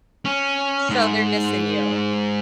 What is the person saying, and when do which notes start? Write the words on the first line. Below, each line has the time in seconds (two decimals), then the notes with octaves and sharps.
So, they're missing you.
0.25 C#4
0.90 G#2